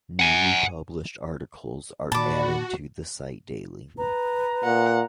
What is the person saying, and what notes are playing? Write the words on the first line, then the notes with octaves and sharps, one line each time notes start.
Newly published articles are added to the site daily.
F#5 G#5
A#2 D#3 F#4 D5 A5 B5 D6
B4 A#5
A#2 F#5